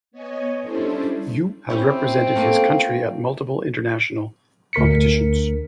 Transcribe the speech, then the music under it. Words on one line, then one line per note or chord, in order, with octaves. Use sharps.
Yu has represented his country at multiple international competitions.
B3 C#5 D#5 G#5
G3 C#4 D4 E4 A4 C5
C4 C#4 E4 G4
A3 A#3 F4
D2 A#4 B6 C#7